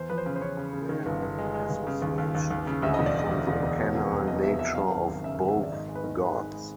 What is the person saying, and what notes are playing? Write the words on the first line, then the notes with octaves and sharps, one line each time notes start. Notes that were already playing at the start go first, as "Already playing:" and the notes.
Their association is born from the canine nature of both gods.
Already playing: E2 C5
F3 B4
C5
C#3
C5
C#3 C#5
C#3
C#3
D#3
G1
G1
G#3
G#3
G1
C#3
D#2
D#2
D#2
D#2
C#3
D2 E5
D#5
E1
D5
D2 D#5
D2
E1
E1
B2 C#5
F1
E2
B2 D#5
B2 E5
B2 E5
F#2 F5
G#1
G#1
C#3 E5
G#1
E5
G#1
D5
G#2 D#5
G#3
B4
D#3
G#3
D#3
G#3